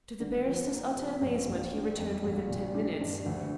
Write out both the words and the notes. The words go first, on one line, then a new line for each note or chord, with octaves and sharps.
To the barrister's utter amazement he returned within ten minutes.
D3
F3
A#3
C3
A#1
A#1
D4
F2
A#1
A#2
D4
G2
D2